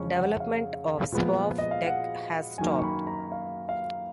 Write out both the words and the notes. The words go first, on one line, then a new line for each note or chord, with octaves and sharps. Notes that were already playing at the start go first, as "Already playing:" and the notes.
Development of Swfdec has stopped.
Already playing: F2 C#3 G#3 C#4 C#6
F#5
F5
A#2 F3 G#3 B3
D#5
F5
F#5
F#2 D#3 A#3 G#5
C#6
B5
A#5
F5
F5